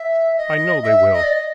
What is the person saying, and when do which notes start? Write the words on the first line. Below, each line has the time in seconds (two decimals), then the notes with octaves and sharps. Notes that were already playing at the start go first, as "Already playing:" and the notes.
I know they will!'
Already playing: E5
0.37 D#5
0.83 E5
1.13 D#5
1.23 D5
1.33 D#5